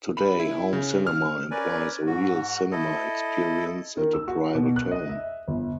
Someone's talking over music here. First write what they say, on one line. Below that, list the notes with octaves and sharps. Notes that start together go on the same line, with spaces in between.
Today, home cinema implies a real "cinema experience" at a private home.
B5
E4
C#3
F6
C#4 A#4 B4 D5 G#5
G#2 F#4
E4 A4 D#5
D#3
E6
F#4
B2
F#6
D#5
E5
G1